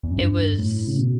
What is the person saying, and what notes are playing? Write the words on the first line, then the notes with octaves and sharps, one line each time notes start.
It was
E2
F#2
G2
A2
C#3
B2